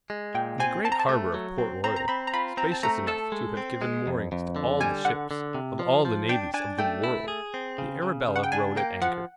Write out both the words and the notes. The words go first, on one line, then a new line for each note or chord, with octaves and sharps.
In the great harbour of Port Royal, spacious enough to have given moorings to all the ships of all the navies of the world, the Arabella rode at anchor.
G#3
A#2 G5
C4 G#5
C4 A5
A#5
A5
A3
F#3
C4
C4 A#5
A#5
C4 B5
A#5
F4 B5
C4 A#5
A5
A3 A#5
A4 A5
G#3
C4
G#3
F2
F2
D3
G3 G#5
D3 F#5
D3
C3
F3
F3
D4 G5
D4 G#5
A3 G5
E4
G#4
C4
C#3
C#3
C#3
F#5
G5
D4 G#5
A#3 G5
F3 F#5